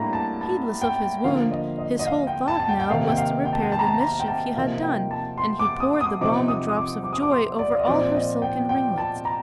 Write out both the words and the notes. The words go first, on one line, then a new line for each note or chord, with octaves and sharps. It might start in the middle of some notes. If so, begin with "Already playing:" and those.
Heedless of his wound, his whole thought now was to repair the mischief he had done, and he poured the balmy drops of joy over all her silken ringlets.
Already playing: A2 G3 A#3 D4 A#5
A5
A5
G5
D3 F3 A#3 F5
D#5
D#5
D#5
F5
G5
A5
A5
G5
G5
C3 D#3 A#3 D#4 F5
G5
F5
G5
A5
G5
A5
A#5
A5
A#5
G5
A5
C3 F3 A#3 D#4 F5
G5
A5
C6
D6
D#6
D#6
C3 F3 C4 D#4 D6
D#6
D#6
D6
D6
D#6
D6
C6
D5
F5
D#5
A#2 F3 C4 D5
D#5
G5
G5
A5
A#5